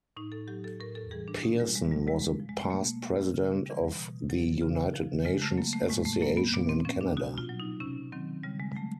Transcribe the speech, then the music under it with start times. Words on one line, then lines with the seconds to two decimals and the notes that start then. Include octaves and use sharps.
Pearson was a past president of the United Nations Association in Canada.
0.16 A2 D#4
0.32 A4
0.47 F#3 G4
0.64 A4
0.80 A2 A#4
0.95 A4
1.11 E3 G3 G#4
1.28 D4
1.44 B2 C#4
1.60 G3
1.75 G3 G#3
1.91 G3
2.07 C3 G#3
2.40 F3
2.49 G#3
2.60 A3
2.70 B2 A#3
3.02 G3
3.34 C#3
3.66 E3 G3
3.99 B2
4.30 F#3
4.62 C#3
4.94 F3
5.25 C#3 G#3
5.42 A3
5.57 F#3 A#3
5.73 A3
5.89 A2 G#3
6.05 A3
6.21 F#3 A#3
6.37 B3
6.54 A#2 B3
6.69 C4
6.85 F3 C#4
7.01 D4
7.17 B2 F#4
7.38 F4
7.49 F#3
7.60 D#4
7.80 C3 C#4
8.12 D#3 F#3 C4
8.43 C#3 G3
8.60 G#3
8.76 F#3 A3